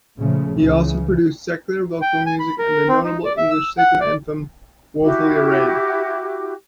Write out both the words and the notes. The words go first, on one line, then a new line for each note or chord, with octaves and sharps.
He also produced secular vocal music and the notable English sacred anthem "Woefully arrayed".
A#2 C#3 F3 A3
C#2 C#3 E3
G5
G#5
B5
A#4
C4
D#4
D5
E5
E6
F#5
D5
E4 F#4 G4 D6